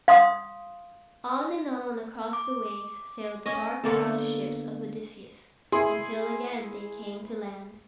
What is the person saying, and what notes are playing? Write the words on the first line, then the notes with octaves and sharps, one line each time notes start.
On and on across the waves sailed the dark-prowed ships of Odysseus, until again they came to land.
F5 C6 D#6
D6
C#4 D#5
D3 A#3 B3 A4
E4 G#4 C6